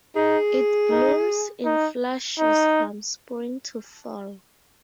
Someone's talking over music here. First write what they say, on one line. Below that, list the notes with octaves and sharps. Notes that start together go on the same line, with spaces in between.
It blooms in flushes from spring to fall.
D#4 G#4
D#4
D#4
D#4